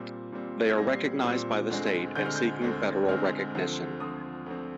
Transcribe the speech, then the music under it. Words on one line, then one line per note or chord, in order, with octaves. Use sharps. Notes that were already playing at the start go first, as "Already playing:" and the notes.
They are recognized by the state and seeking federal recognition.
Already playing: A#2 G3 C4
A#2 G3 C4
G#6
A#2 G3 C4 A#6
C7
A#2 G3 C4
D2 D3 G#3 C4
D2 D3 G#3 C4 G6
F6
G6
D2 D3 G#3 C4
D2 D3 G#3 C4 F6
D2 D3 F3 C4
D2 D3 F3 C4 D#6
D2 D3 F3 C4